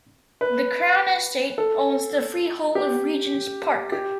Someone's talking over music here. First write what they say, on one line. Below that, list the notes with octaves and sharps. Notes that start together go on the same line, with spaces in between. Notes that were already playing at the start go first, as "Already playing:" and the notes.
The Crown Estate owns the freehold of Regent's Park.
B4
A4
G4
G4